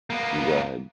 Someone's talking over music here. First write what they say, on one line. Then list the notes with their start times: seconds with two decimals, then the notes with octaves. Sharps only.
Go ahead.
0.10 A#3 B3